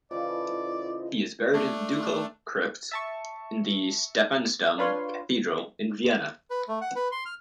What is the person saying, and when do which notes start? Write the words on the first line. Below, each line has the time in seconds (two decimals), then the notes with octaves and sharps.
He is buried in the Ducal Crypt in the Stephansdom cathedral in Vienna.
0.11 C#3 E3 F4 A4 C5 D5 D#5
1.54 A3 D4
2.92 E5 A5 C#6
4.78 D4 F4 B4 C#5 F5 C6
6.50 B4
6.68 A3
6.81 F#5
6.96 B4
7.12 C6
7.26 F6